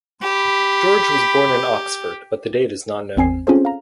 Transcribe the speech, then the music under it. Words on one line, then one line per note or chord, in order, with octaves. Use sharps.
George was born in Oxford but the date in not known.
G4 B5
G#1 E2 C4 G#5 C7
C4 C#4 F4 G#4 A4 C5
F5 A#5